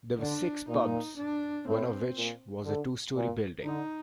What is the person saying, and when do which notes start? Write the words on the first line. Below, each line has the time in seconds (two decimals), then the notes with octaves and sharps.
There were six pubs, one of which was a two-storey building.
0.19 D3 D4
0.68 A#2 D#4
1.17 D4
1.67 A2 C4
2.16 A#2
2.65 D3
3.15 A#2
3.63 D3 D#4